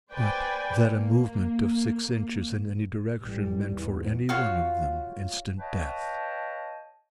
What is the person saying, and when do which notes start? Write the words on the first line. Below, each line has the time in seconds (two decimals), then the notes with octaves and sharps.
But--that a movement of six inches in any direction meant for any one of them instant death.
0.12 B4 C5 D5 G5 G#5
0.83 A#3
3.20 A1 G3
3.75 E2 G#2
4.29 F4 F#4 C#5 F5
5.59 B4 C#5 D#5 F5 G5 A5